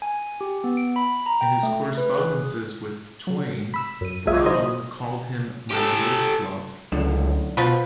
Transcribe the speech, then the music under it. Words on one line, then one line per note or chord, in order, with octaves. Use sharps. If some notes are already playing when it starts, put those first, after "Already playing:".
In his correspondences with Twain, Browne called him My Dearest Love.
G#5
G4
B3
D7
B5
A#5
G5
A3
B4
G#4
F#3
B5 E6
F#2 D#7
B1 G#3 F4 E5 D#6 G#6
E3 F#3 C5 D#5 D#6
G4 A4
C#2 F#2 A2 D3
B2 F3 B4